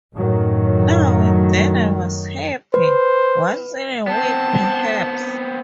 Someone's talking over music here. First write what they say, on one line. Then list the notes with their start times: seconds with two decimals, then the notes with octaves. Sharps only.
Now and then I was happy: once in a week perhaps.
0.14 F#2 A2 D#3 F#3
2.74 B4 C5
4.07 B3 C4 A5